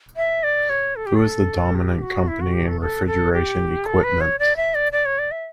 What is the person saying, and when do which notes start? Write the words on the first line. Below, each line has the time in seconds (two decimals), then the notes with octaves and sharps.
Who is the dominant company in refrigeration equipment?
0.17 E5
0.43 D5
0.69 C#5
0.96 A4
1.06 G4
1.16 A4
1.75 G4
2.02 F#4
2.27 E4
2.41 F#4
2.54 G4
2.67 A4
2.81 A4
3.07 A4
3.33 G4
3.86 A4
4.03 B4
4.21 C#5
4.39 D5
4.56 E5
4.74 D5
4.92 D5
5.05 C#5
5.19 D5
5.31 E5